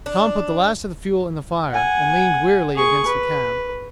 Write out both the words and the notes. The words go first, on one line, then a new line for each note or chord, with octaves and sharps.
Tom put the last of the fuel in the fire, and leaned wearily against the cab.
D4
F#5 G#5
G#4 C#6
B4